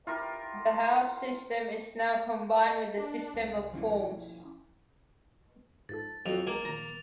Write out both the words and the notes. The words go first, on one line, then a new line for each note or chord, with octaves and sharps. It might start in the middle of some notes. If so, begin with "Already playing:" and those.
The house system is now combined with the system of forms.
E4 F4 G4 A#4
D#5
D4
C2
F3 C#4 E4
G#2 F3 A4 A6
F2 F#3 F7
G#1 G#3 A#3 A#4 G#5
A#1 D#2 F3 A#5